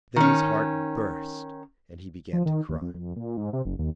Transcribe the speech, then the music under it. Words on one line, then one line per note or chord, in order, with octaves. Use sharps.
Then his heart burst, and he began to cry.
D#3 C#4
F3
D#3
D#2
F2
F2
A#2
G#2
C3
F#1
D#2